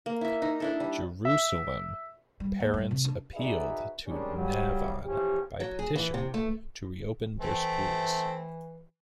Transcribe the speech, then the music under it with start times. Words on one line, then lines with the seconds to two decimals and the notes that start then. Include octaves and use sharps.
Jerusalem parents appealed to Navon by petition, to reopen their schools.
0.06 A#3
0.21 E4 E5
0.42 D#4
0.60 D4 E4 A4
0.80 G3
1.25 E5
2.40 G3
2.60 D#2
2.74 G2
2.91 C3
3.05 D4
3.34 D#4 F#4 G#4 B4 D5 E5
4.07 D#3 G3 G#3 C#4 D4
4.35 G#2 C#3 F#3 G3
5.05 E3 F3 C#4 G4
5.60 F#3
5.79 G#4
5.96 E3
6.14 C3
6.34 A3
7.40 E3 A3 C4